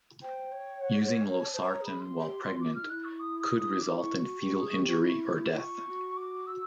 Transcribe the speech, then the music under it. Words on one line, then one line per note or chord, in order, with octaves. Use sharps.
Using losartan while pregnant could result in fetal injury or death.
C5 G5
C#5
F#5
F#5
G#5
A5
C5 A5
C#5
A#5
G#4 B5
C6
G4
F#4
F4 D6
F6
D#4
E4 F#6
C#6
D#6
D#6
D#6
D#4 D6
E4 C#6
F#4 C#6
G4
G#4
G4
E4
E4
F4 C#6
F#4
D6
E6